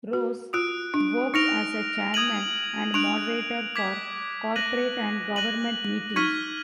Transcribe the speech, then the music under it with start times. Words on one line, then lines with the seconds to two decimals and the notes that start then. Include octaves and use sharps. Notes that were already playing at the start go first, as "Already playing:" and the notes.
Ross works as a chairman and moderator for corporate and government meetings.
0.13 F#4
0.53 F4 D#6 F#6 D7
0.94 D4
1.34 D#4 F6 A#6 D7 F7
2.14 D#6 G#6 D#7 F#7
2.94 D4 F#6 D7 F7
3.76 D6 G#6 B6
4.56 F#6 A#6 D#7 F#7
5.36 F#6 A#6 D#7 F#7
6.16 D#4 F6 G#6 B6 D#7